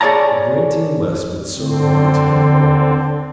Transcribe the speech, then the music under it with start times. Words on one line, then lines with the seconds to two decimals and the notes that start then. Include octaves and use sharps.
A great deal less would serve my turn well enough.
0.01 G#4 C#5 D5 A5 A#5
1.54 D3 C4